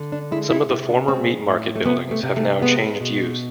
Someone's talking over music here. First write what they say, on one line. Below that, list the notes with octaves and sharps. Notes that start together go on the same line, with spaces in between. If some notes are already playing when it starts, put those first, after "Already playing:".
Some of the former meat market buildings have now changed use.
Already playing: D3
D4
G#3 E4
E4
C3 E4
D4
G#3 C4
A2
A3
C3 B3
A3
C3
A3
G#3 B3
B2